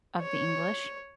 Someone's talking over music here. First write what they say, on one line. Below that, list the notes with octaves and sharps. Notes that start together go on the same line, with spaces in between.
of the English.
C#5